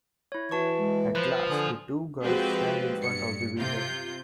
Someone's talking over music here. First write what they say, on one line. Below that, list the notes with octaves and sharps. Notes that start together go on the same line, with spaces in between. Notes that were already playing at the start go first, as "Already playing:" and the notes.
At last, the two girls stand in front of the Wizard.
E4 C#5
E3 F#4 A5 C#6
G#3
F3 B4 C5 B5
D3 G#5 D#6
F3 G#3 C4 F#4 G4 B4
G2 C#7
C3 F4 G6